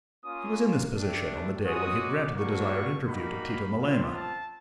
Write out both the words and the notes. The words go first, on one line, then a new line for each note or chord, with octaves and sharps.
He was in this position on the day when he had granted the desired interview to Tito Melema.
A#3 C#4 F4 D#6
A3 D4 G4
G#3 C#4 F#4 D#6
D6
G3 A#3 D4 F#4 C#6
G3 A#3 D#4 F#4 B5
C4 F4
A5